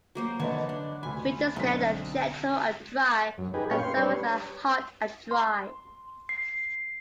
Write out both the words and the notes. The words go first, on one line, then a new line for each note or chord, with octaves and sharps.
Winters there are gentle and dry, and summers are hot and dry.
F#3 A#3 C5
D3 B4 C#5 D#5 A5
D4
D2 G#5 B5
B1 D3 C4 B6
F#2
D#4 G4 G#4 B4
A#2 C#4 B4 F5 G5 C#6
C6
G3 D4 B4 C#5
C6
C7